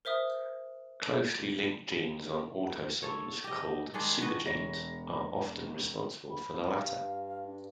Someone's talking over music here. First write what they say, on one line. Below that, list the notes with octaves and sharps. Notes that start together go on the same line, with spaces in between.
Closely linked genes on autosomes called "supergenes" are often responsible for the latter.
A#4 C5 E5 D#6
A4 C#5
G4 D#5
D#3 G#3 D4 G#4
F#4 B4 D#5
E1 C#5 A#6
B5
G2 F5
D4